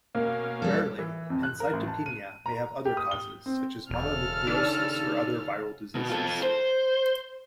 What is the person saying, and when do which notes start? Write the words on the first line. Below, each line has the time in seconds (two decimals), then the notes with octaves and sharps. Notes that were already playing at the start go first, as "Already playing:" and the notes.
Rarely, pancytopenia may have other causes, such as mononucleosis, or other viral diseases.
0.15 B2 A#3 C#4 F5
0.62 G3 A4
0.99 E3
1.30 F2
1.43 F#6
1.60 A#4
1.73 A1
1.88 A5
2.06 D#7
2.46 A#5
2.85 G4
2.97 D#6
3.11 G7
3.46 C4
3.90 E1 C#3 A4 F6
4.47 D#2 D4
5.95 B2
6.09 F4 A4
6.43 C5